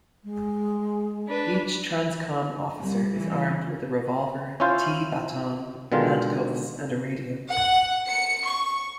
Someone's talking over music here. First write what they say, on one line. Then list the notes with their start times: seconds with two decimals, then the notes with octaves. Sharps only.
Each TransCom Officer is armed with a Revolver, T-baton, Handcuffs and a Radio.
0.24 G#3
1.28 D4 B4
2.79 C2
3.16 E3
4.60 C#4 E4 F4 C5
5.92 B2 D3 D#3 G#3 F4
7.50 F#5
8.07 C#7
8.47 C#6